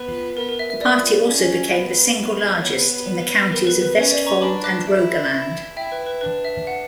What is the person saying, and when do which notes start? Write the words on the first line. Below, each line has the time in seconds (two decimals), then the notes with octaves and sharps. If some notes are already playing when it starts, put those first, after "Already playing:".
The party also became the single largest in the counties of Vestfold and Rogaland.
Already playing: B3 B4
0.36 B3 A#4
0.49 A#4
0.59 E5
0.70 E5
0.81 B3 D5
1.27 C#4
1.72 B3 B4
2.16 B3
2.62 B3 C#5
3.52 A#4
3.67 B4
3.82 B4
3.96 C#4 C#5
4.11 D5
4.26 A#5 C#6
4.41 D4 B5 D6
4.64 D6 F#6
4.87 E4
5.31 E4
5.77 E4 E5 G5
5.92 B4
6.06 B4
6.21 D4 B4
6.45 E5
6.67 F#5